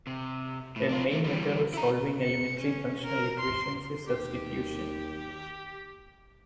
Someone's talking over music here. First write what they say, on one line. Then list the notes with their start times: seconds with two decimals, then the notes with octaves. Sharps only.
A main method of solving elementary functional equations is substitution.
0.07 C3
0.76 A2
0.89 D4 F4
1.12 E3 A3
1.24 E3 G3
1.73 E4 A#5
2.23 C#7
2.60 C#4
3.06 A#4
3.40 C6
4.07 D#2 G4